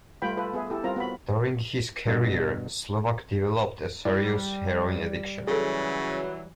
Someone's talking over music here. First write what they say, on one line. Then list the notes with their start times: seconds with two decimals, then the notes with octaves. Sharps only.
During his career, Slovak developed a serious heroin addiction.
0.22 G3 A3 F4 B4 G5 B5
0.37 F4 A4 B4
0.54 B3 G#4 B4 E5
0.70 E4 G4 A4
0.84 G3 C4 F4 A#4 A#5
0.96 B3 F#4 B5
2.07 G2 B2
4.05 G3 E4 D5
5.47 C#3 E3 F#3 G#4 A4